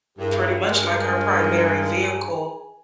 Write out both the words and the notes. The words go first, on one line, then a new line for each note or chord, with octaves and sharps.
pretty much, like, her primary vehicle,
G2 E4 G#4 A#4
G2 G#3 G#4 A#4 G#5